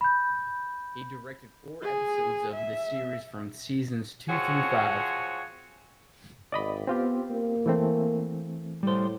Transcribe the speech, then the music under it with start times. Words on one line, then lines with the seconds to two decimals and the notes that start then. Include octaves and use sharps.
He directed four episodes of the series from seasons two through five.
0.01 B5 G6
1.82 G#4
2.53 E5
4.29 F3 C4 F#4 G#4 C#5
6.52 G#1 D5 D#5 B5
6.87 B3 C4 F4 G4
7.30 A#3
7.66 E3 A3 C4
8.83 A2 G3 C5